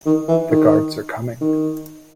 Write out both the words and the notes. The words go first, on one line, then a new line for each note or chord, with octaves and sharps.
The guards are coming.
D#3
E3
D#3
D#3